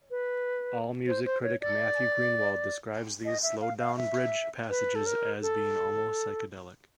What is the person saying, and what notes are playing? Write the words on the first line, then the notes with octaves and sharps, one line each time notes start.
Allmusic critic Matthew Greenwald describes these slowed down bridge passages as being almost psychedelic.
B4
C5
C5
C#5
D5
D#5
E5
F5
F5
E5
B4
A4
A#4
A4